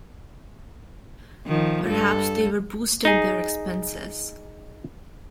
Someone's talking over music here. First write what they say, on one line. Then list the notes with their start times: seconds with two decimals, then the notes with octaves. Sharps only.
Perhaps they were boosting their expenses.
1.47 D#3 F3
1.85 G2 A4
3.05 D#4 G#4